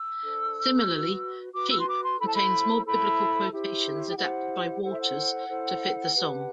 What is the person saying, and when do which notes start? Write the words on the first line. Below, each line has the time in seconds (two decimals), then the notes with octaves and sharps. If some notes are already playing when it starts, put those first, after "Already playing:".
Similarly, "Sheep", contains more Biblical quotations adapted by Waters to fit the song.
Already playing: E6
0.23 D4 A4 C5
0.89 F#4 B4
1.54 F#4 B4 D6
1.71 E6
1.81 C6
1.88 D6
2.04 C6
2.20 E4 A4 C5 B5
2.28 A5
2.36 B5
2.85 E4 A4 C5 B5
3.52 E4 G4 C5
4.10 G5
4.17 E4 G4 C5 F#5
4.83 E4 A4 C5 F#5
4.92 E5
4.99 F#5
5.48 E4 A4 C5
6.15 D4 G4 B4